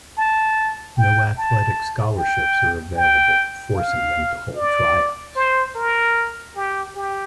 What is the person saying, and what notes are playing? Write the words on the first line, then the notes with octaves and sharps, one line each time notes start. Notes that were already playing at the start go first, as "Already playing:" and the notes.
No athletic scholarships are available, forcing them to hold tryouts.
A5
G5
A5
G5
G5
F5
D5
C5
A#4
G4
G4